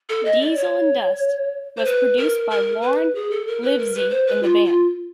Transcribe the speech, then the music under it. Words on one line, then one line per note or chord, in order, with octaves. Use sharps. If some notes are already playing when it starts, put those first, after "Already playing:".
"Diesel and Dust" was produced by Warne Livesey and the band.
A4
D#5
D5
C#5
C5
B4
A#4
A#4
B4
G#4
A4
A#4
B4
A#4
B4
C5
B4
F4
F4